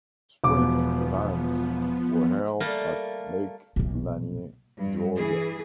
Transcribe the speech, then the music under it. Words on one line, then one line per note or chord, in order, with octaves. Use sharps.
Sprint events were held at Lake Lanier, Georgia.
E1 F3 B3 D6
G3 A3 A#3 A#4
B1 A#2
G2
E3 G#4